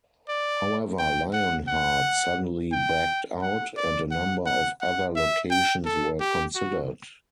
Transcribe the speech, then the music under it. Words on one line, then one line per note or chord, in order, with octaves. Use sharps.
However, Lionheart suddenly backed out, and a number of other locations were considered.
D5
G5
F#5
F#5
G5
F#5
D5
F#5
F#5
F#5
E5
G5
A4
G4
F#4